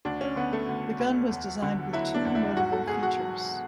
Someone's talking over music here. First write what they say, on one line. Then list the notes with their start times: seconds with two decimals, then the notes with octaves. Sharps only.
The gun was designed with two notable features.
0.05 D2 D4
0.21 C#4
0.36 D3 B3
0.53 A3
0.68 D2
0.99 D2
1.31 E2
1.62 D3
1.93 F#3 E4
2.14 D4
2.25 E2
2.35 E4
2.56 G#2 F#4
2.72 A4
2.87 G#2 G#4
3.03 F#4
3.19 F#3